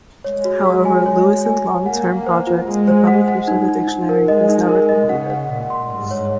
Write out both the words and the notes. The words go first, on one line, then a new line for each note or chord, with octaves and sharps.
However, Lewis's long-term project, the publication of a dictionary, was never completed.
G#3 C#5
F#4
F#4
G#5
C#5
G#5
G#5
G#5
A#3 F#5
F#5
C5
F4
G#3 F4
C5
F#5
F#5
D#4
D#4
D#4
A#4
G#3 D#5
D#4
A#4
D#5
C#3 F#5
F#5
A#2 F#5
C6
G#2 C6
C#5